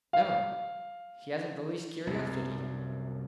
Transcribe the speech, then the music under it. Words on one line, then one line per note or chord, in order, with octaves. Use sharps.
"Never; he hasn't the least curiosity."
F5
C2 F#2